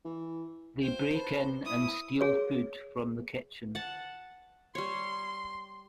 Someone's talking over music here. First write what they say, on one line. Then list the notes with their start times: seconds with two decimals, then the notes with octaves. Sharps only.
They break in and steal food from the kitchen.
0.05 E3
0.82 F4 C5 G5
1.14 B4 A5
1.65 E4 D#6
2.21 G#4 C#5
3.75 F#5 A5
4.75 G3 C#5 C6